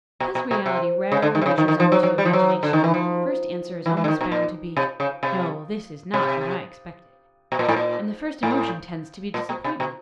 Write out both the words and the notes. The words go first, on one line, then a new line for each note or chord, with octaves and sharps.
Because reality rarely measures up to imagination, the first answer is almost bound to be, "No, this is not what I expected." And the first emotion tends to be disappointment.
B2
B2
B2
C3
C#3
D3
D#3
C3
C#3
D#3
D#3
F3
F#3
F#3
G3
F3
F#3
D3
D#3
E3
F3
E3
E3
D3
D#3
B2
A#2
C3
C#3
C3
C3
B2
A#2
A2
A#2
A2
A#2
B2
C3
B2